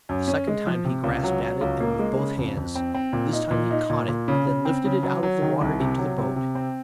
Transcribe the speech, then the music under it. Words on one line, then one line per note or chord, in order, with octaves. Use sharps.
A second time he grasped at it, and with both hands. This time he caught it, and then lifted it out of the water into the boat.
F#2
C#4
G#3
F3
C3
C#2
F#3
F#3
C#2
A#3
G#3
C#3
F2
F2
C4
C4
A#2
D#4
A#2
D#4
A#2
A#2
C#3
C#3
C4
C#3
F#3
F#3
D#3
C2
C3
F#3
C3
C3
C4